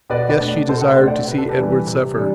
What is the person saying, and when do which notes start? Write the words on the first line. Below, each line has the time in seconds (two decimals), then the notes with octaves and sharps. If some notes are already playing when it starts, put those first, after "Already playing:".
Yes, she desired to see Edward suffer.
0.10 B2 B4 D5
0.30 B4 D5
0.40 A3 D4
0.69 B2 A4 C5
0.81 F#5
0.89 C5 E5
0.99 A3 D4
1.07 D5 F#5
1.27 C3 B4
1.38 A4
1.49 G4 B4
1.57 E3 G3 D4
1.87 C3
2.16 E3 G3 D4